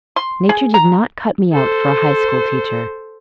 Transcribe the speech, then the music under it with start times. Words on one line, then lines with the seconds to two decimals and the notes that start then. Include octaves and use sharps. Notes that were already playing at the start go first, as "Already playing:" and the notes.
Nature did not cut me out for a high-school teacher.
0.16 C6
0.49 G#4
0.74 A#5
1.52 A4 C5